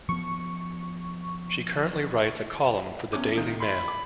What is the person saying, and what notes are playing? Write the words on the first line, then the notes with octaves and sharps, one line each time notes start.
She currently writes a column for the "Daily Mail".
F3 B3 C#6
E2 C#4 D6
C3 D#3 F4
B5 C6
D6